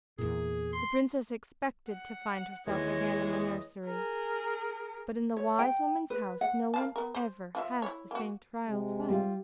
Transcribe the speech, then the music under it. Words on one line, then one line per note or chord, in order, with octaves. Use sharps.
The princess expected to find herself again in the nursery, but in the wise woman's house no one ever has the same trial twice.
E2 A#2 G#4
C6
F#5
D#2 E3 G#3 C#5 D#5
G#4 A#4
C#5
G5
B4
F#5
A#4 F5 A5
B3 A#4
C5
F3 F4 E5
E4 C#5
A#3 F#4
C3 G#3
G3 F4